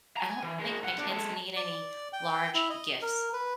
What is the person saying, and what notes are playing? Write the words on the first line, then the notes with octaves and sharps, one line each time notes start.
I don't think my kids need any large gifts,
G#5 A#5
E3
G#3 A#4
B1 F#5
D#2 D4
G#3 A4
D5
G5
E4
D#5
A#4
B4